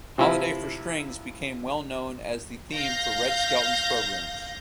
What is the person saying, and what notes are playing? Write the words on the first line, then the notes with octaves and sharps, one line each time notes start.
"Holiday for Strings" became well known as the theme for Red Skelton's programs.
C3 F3 E4
F5 G6 A#6